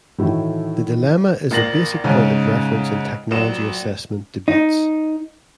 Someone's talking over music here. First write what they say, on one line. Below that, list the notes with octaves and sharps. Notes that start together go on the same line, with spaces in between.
The dilemma is a basic point of reference in technology assessment debates.
A2 D#3 E3 E4 F#4 A4
A#1 A#3 A6 A#6 F#7
G#2 C#3 C#4
A#1 F#3 F#4 E7
D#4